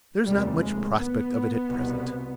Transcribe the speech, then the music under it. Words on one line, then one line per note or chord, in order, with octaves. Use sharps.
There is not much prospect of it at present.
F1 D#2 G3
G#3
B3
C2 B2